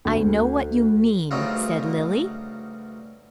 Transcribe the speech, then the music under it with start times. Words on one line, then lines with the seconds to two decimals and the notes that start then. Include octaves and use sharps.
"I know what you mean," said Lily.
0.05 D2
1.31 D2 G2 C#3 F#3 D#4 F4